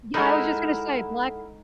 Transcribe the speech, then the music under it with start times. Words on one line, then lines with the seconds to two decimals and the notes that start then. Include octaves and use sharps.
Yeah, I was just gonna say black
0.14 G#3 D#4 E4 A4 A#4 F#5